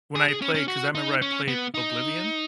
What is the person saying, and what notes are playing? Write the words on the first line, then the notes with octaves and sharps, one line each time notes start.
when I play 'cause I remember I played Oblivion.
G#4
G#4
C#4
C#4
F#4
D#4
C#4
B3
D#4